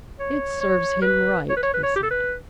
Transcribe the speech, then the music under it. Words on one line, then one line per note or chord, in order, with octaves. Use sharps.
"It serves him right," he said.
C#5
C#5
B4
C#5
B4
C#5
B4
C#5
G4
A4
B4